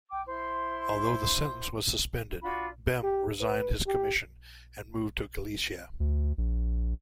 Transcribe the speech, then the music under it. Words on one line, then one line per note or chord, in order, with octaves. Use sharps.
Although the sentence was suspended, Bem resigned his commission and moved to Galicia.
G5 D6
E4 C5 C6
D4 F4 F#4 B5
G4
B4
G4
D2
A#1